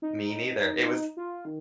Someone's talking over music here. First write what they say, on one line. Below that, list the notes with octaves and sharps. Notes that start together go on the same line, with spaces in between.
me neither, it was
D#4
F4
D#3